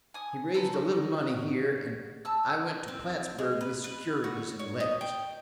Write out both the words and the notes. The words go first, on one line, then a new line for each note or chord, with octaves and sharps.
He raised a little money here, and I went to Plattsburg with securities and letters.
G#5 D#6
A4 B4 C5 A#5
F#4
A5 E6
C4
G#3
B4
B4
F#4
C#5
D#5
G5